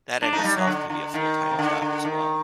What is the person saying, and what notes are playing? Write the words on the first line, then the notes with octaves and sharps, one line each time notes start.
that in itself can be a full-time job as well.
D4
D#4
A3
G3
F#3
D3
D3
D#3
C3
D3
D3
D#3